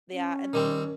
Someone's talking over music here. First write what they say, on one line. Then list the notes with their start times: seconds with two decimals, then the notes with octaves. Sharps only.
Yeah, and
0.12 C#4
0.53 D#3 G3 C4